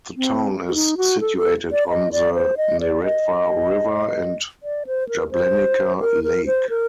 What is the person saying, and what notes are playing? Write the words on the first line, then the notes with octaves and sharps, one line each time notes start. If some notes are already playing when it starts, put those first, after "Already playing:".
The town is situated on the Neretva river and Jablanica lake.
C4
F#4
D#4
F#4
A4
A4
D5
D#5
D5
C5
D#5
D5
D#5
D5
C5
A#4
C5
A#4
A#4
C5
A#4